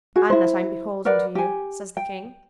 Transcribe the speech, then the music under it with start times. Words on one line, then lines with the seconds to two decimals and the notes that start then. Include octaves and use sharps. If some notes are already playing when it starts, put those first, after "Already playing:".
"And that I'm beholden to you," says the king.
0.16 F#4 G#4
0.30 E4 C5
1.05 A#4 B4 D5 F#5
1.35 G4 G#5
1.97 G5